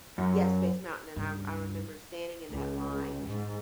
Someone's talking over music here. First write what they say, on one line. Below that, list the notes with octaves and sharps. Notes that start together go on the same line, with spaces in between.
Yeah, Space Mountain, and I I remember standing in that line
F#2
C#2 G2
C#2
G#2